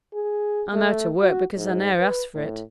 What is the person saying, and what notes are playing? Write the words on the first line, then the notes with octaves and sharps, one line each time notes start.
I'm out o' work because I ne'er asked for it.
G#4
A3
F#4
G#2
B4
A2